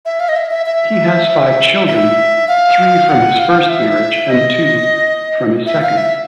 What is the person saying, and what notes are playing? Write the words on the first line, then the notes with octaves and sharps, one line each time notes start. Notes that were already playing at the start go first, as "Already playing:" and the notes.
He has five children, three from his first marriage and two from his second.
E5
F5
D#5
E5
E5
E5
E5
F5
F#5
F5
E5
D#5
E5
F5
E5